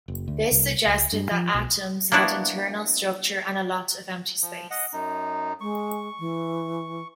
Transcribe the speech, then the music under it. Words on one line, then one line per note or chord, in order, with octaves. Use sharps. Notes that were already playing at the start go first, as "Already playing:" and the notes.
This suggested that atoms had internal structure and a lot of empty space.
F#1
D2
C2
C#2
G2
F3
B1
A#3 B3 D4 E4 F#4
F3
D#5 F#5
F#2 D#4
G#3 C#6
E3